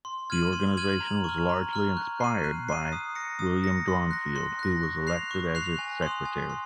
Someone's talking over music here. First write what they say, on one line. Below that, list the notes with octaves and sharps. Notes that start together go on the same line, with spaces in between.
The organisation was largely inspired by William Dronfield, who was elected as its Secretary.
C6
F6 G#6 D#7 F#7
C6
F6 G#6 D#7 F#7
A#5
C#6 F6
A#5
C#6 F6
F#6
C7 D#7
F#6
C7 D#7
D#6
A#6 C#7
D#6
A#6 C#7
C6
F#6 A#6
C6
F#6 A#6
C#6
F#6 C7 F7
C#6
F#6 C7 F7
G#5
C6 D#6
G#5
C6